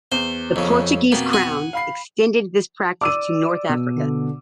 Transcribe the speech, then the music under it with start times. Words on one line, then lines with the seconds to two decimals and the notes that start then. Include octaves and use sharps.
The Portuguese crown extended this practice to North Africa.
0.12 E2 C5
0.56 F2 C#3
1.12 F2 B2 A#3 B3
1.33 F#5 G#5
1.73 F5 B5 C7
3.01 D5 D6 E6 D#7
3.69 B2
3.96 D3